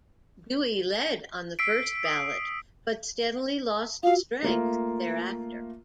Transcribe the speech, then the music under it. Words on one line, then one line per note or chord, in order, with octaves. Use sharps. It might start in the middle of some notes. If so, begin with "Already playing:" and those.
Dewey led on the first ballot, but steadily lost strength thereafter.
E6 B6 C7 D7
D#6
F4 F#4 F5
A3 A#3 F4